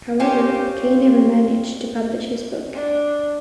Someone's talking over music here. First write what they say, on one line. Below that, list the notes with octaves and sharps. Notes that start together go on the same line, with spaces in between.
However Kay never managed to publish his book.
C4 C#4 F4 G4
D4